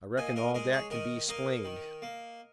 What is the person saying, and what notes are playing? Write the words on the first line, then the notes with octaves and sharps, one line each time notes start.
"I reckon all dat kin be 'splained."
A#2 D#5 G#5
A#4 D#5
G#3 A#4 D#5
G#4 C#5
D#3 A#4 D#5
A#3 A#4 D#5
D#3
A#3